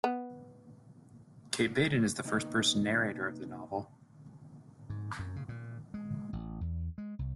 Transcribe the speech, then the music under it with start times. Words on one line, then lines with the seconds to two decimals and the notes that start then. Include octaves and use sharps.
Kate Vaiden is the first person narrator of the novel.
0.04 B3
2.25 C3 A#3 B3 D#4 D#5
4.90 G#2
5.19 F#2
5.36 C#3
5.49 A#2
5.94 G#3
6.33 A1
6.61 E2
6.98 G#3
7.19 C2